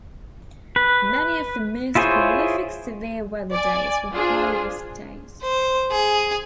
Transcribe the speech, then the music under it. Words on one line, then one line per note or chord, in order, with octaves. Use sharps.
Many of the most prolific severe weather days were high risk days.
B4
E4 F4 G#4 C5 C#5
D5 G#5
D4 F4 G#4 C5
C5
G#4